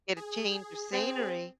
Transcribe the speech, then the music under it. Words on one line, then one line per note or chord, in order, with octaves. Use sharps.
get a change of scenery,
G#4
C4